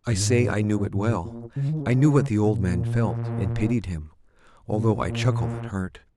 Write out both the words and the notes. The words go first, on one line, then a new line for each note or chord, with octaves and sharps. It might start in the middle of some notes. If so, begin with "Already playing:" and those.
I say I knew it well. I knew what the old man felt, and pitied him, although I chuckled at heart.
F#2
G#2
A#2
G#2
G#2
A#2
C#3
D#3
C#3
A#2
A#2